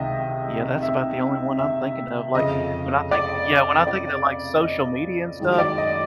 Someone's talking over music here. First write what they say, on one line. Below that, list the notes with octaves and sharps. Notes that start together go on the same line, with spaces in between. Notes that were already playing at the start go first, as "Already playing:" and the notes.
Yeah, that's about the only one I'm thinking of, like, when I think yeah, when I think of it like, social media and stuff,
Already playing: C#2 C3 D#3 D#5 E5
E5
E5
F2 C#3 F3 D#5
D5
D5
D#5
F#2 D#3 G#3
D5
D#5